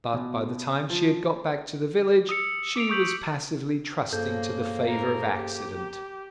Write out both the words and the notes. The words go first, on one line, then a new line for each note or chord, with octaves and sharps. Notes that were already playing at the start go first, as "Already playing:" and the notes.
But by the time she had got back to the village she was passively trusting to the favour of accident.
B2
F3
D#6 E6 C#7
D6 D7 F7
C#6 D#6 G6 B6 F#7
G2 C#3 F3 A#3 A4 G6
A#4
G4